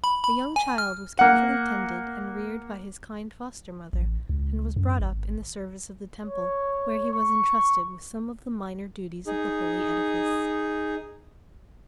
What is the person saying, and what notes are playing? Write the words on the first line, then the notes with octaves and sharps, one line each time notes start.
The young child was carefully tended and reared by his kind foster-mother, and was brought up in the service of the temple, where he was intrusted with some of the minor duties of the holy edifice.
B5
B5
G#5
F6
A#3 F#5
A1
C#2
F#2
G#1
C#5
C#6
D#4 G#4